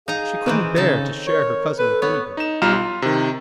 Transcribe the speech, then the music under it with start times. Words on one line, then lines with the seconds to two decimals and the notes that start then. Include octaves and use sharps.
She couldn't bear to share her cousin with anybody.
0.08 D#4 G#4 F5 A#5
0.46 D#3 E3 C4
0.76 C#3 D#4 A4
1.27 A#4 C#5
1.79 A4 B4
2.02 B3 C#5
2.37 D#4 E7
2.62 B1 G3 F4 A#5 F6 E7
2.73 F4
3.02 C3 D#3